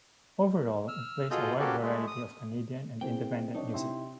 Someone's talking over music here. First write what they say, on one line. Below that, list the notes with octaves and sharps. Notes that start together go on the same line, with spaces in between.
Overall it plays a wide variety of Canadian and independent music.
E6 F6
B2 F4 G#4 A4 D#5 G6
A#3 B3 C#4 F#4 G4 A4
G#3 A3
D#6
A#3 C4 E4 G#4 G5
F#3 D4 D#4 C#5 D#5
C3 E4 E5 G5 C6